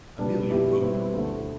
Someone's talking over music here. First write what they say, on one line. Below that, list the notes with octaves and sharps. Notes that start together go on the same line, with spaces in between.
Amelia Roper!
B2 G3 B3 D4
B2 B3 E4 G4 B4
B2 G3 C4 E4 B4
D2 D3 A3